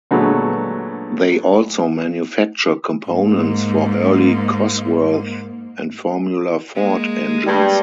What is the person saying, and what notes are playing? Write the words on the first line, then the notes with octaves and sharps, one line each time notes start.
They also manufacture components for early Cosworth and Formula ford engines.
A#2 D3 F#3 G#3 A3 B3
G#2 A#3
G#3 A#3
G2 G3